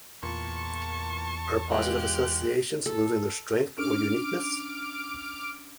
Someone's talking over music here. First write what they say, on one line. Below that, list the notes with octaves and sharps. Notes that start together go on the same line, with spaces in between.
Are positive associations losing their strength or uniqueness?
E2 A#2 A5 C#6
G#3 B3 F4 G4 F#6
A4
C#4 D4 D6 F6 D7